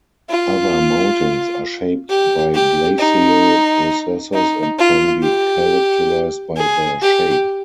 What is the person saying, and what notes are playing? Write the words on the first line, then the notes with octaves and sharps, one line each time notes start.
Other mountains are shaped by glacial processes and can be characterized by their shape.
F4
G4
G4
D#4
D#4
F4
G4
G#4
G4